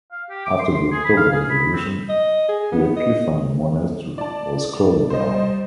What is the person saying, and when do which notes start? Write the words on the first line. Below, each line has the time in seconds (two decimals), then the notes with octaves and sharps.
After the October Revolution, the Epiphany monastery was closed down.
0.12 F5
0.30 G4
0.46 D6
0.59 C6
0.74 C6
0.92 G#4
1.05 B5
1.17 F5
1.32 G#4
1.50 B5
1.73 C4
2.09 D#5
2.49 G#4
2.72 B3
2.96 D#5
4.18 D5 A5
5.10 G3 C5 D#5